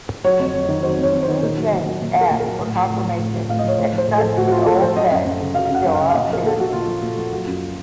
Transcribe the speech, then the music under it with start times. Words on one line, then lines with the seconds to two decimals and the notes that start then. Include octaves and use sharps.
King James asked for confirmation that such an old debt was still outstanding.
0.24 F#3 C#5
0.39 F2
0.55 F2
0.69 D#3
0.83 F#3 C5
0.98 F2
1.03 C#5
1.13 F2
1.23 D#3 C5
1.42 A#2 A#4
1.57 F#3
1.72 A#2
1.86 F#3
2.01 A#2
2.16 F#3 A#4
2.30 A#2
2.40 A#4
2.46 F#3
2.61 A2
2.75 F3
2.90 A2
3.05 F3
3.19 A2
3.34 F3
3.49 A2 F5
3.59 D#5
3.64 F3 C#5
3.78 A2 C5
3.93 F3 C5
4.08 A2
4.18 F3 A4
4.37 A2 F#4
4.47 F#4
4.52 F3 F4
4.66 A2 A4
4.82 F3 C5
4.96 F#3 D#5
5.11 F#2
5.25 F#2
5.41 C#3
5.55 F#3 F5
5.65 F5
5.70 F#2 F#5
5.84 F#2
5.94 F5
5.99 C#3
6.09 F5
6.14 A#2 D#5
6.29 F3 A#4
6.43 A#2 A4
6.59 F3 F#4
6.73 A#2 F4
6.88 F3
7.03 A#2
7.17 F3
7.32 F#3 F4
7.47 F#2